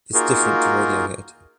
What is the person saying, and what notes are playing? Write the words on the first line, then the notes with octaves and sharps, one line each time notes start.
It’s different to Radiohead.
A#3 D#4 F4 F#4 G#4 A#4